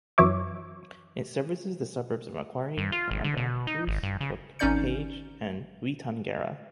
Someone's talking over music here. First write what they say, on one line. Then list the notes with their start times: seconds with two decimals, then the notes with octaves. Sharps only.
It services the suburbs of Macquarie, Aranda, Bruce, Cook, Page and Weetangera.
0.18 F#2 E3 F#3 C#5 E5 D6
2.78 G2
2.92 F4
3.11 G#1
3.24 D3
3.37 B2
3.67 D#4
3.87 G#1
4.03 G2
4.21 C#3
4.59 G#1 C#4 D#4 D5 G6 C#7